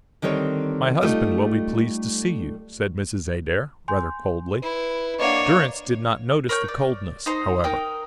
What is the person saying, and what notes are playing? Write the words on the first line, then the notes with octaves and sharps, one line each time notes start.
"My husband will be pleased to see you," said Mrs. Adair, rather coldly. Durrance did not notice the coldness, however.
D3 D#3 G3 C4 C#5
G3 A3 D#4 F4
G#5 C6 G6
E4 B4
A#3 D4 C#5 D#5 E5 F#5
A#4 C#5 G6
D5
D#4 C5 A#5 C6
D#4 A#4 G5